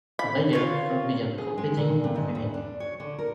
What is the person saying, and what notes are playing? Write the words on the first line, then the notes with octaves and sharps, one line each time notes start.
Zeiger first began competing in swimming.
B5
F4 C#5
A#4
G#4
G#3
A#2
G2
G#2
E2
D4
C#5
D3
A#4